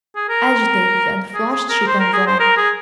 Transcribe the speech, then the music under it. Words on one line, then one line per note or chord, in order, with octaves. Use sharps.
Agitated and flushed she turned round.
G#4
A#4
G#4
G#4
A#4
C5
A#4
G#4
C5
A#4
G#4